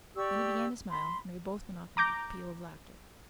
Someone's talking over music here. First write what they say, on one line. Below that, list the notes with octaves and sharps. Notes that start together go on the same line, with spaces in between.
Then he began to smile, and we both went off into a peal of laughter.
G4 D5 C#6 E6
B5 C6
A#5 D6 G6 A#6